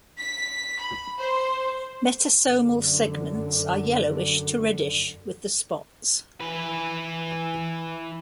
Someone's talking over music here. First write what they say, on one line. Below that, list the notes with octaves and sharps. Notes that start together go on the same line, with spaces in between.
Metasomal segments are yellowish to reddish with the spots.
B6
B5
C5
F#2 D3
E3 B4